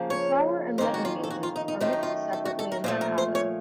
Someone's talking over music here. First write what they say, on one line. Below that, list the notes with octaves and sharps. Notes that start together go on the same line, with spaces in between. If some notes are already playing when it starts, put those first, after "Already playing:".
The flour and leavening agent are mixed separately and then added.
Already playing: C#3 F3 A#3
C#5
F2 D#3 A#3 C#4 C5
F#4
F4
A4
F#4
F4
D#4
D#4
F#2 D#3 A3 C4 F4
D#4
F4
A4
F#4
A4
A#4
A#2 F3 A3 C5
A#4
C5
C#5